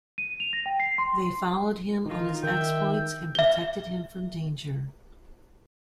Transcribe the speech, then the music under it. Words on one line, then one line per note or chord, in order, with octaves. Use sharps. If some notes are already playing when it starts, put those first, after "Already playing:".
They followed him on his exploits and protected him from danger.
D#7
F7
A#6
G5
C7
C6
D#3 D#4 F4
D#3 E5 G5
E5 G7